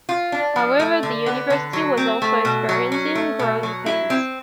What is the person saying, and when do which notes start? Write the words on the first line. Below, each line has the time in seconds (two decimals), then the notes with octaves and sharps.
However, the university was also experiencing growing pains.
0.09 F4
0.32 D4
0.56 F3
0.80 A3
1.03 D3
1.26 B3
1.50 D3
1.73 F#3
1.97 C4
2.22 A3
2.45 B2
2.69 F#3
2.92 C#4
3.15 A3
3.39 B2
3.63 F#3
3.86 E4
4.10 C4